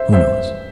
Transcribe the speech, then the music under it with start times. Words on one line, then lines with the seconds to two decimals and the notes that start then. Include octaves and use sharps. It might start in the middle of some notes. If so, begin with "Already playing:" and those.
Who knows?
Already playing: C5 E5
0.13 C5 E5